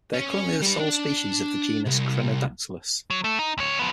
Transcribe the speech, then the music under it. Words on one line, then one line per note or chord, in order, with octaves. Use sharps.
They are currently the sole species of the genus Crenadactylus.
C#4
G3 B4
D4
C2
F#3
A3
D#4
D2 C#5
F3 B3